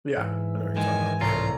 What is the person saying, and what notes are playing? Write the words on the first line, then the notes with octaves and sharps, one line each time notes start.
Yeah, I know what you're talking about, yep.
G#2 E3
D#3 G#3 G#5
C2 A2 A3 F4 A#5